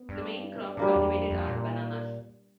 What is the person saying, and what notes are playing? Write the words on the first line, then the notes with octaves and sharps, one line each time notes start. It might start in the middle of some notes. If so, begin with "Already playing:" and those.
The main crop cultivated are bananas.
Already playing: B3
G2
A2 G3 A#3 D4
E2
F2
F2
A#2